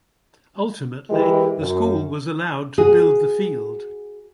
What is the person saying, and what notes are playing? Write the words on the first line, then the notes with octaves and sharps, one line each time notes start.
Ultimately, the school was allowed to build the field.
E3 G#3 E4 G4 A#4 B4
F#2
F#4 G#4